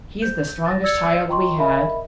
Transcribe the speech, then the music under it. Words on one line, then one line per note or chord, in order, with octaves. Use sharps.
He's the strongest child we had.
C5 G6
A6 A#6
D5 E6 G#6 A6 C#7
F4 D#5 G5 A#5 C6 C#6
A#4 D#5 E5 B5